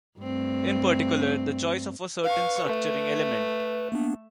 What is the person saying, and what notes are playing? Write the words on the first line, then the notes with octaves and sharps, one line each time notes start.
In particular, the choice of a certain structuring element.
G2 A3 C4
B4 F5 C#6
A3
A#3 B3 D4